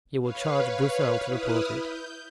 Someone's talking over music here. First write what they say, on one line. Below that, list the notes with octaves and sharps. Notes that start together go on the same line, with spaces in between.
You will charge Broussel to report it.
B4 C#5 F5
E4 B4 D#6 F6
G6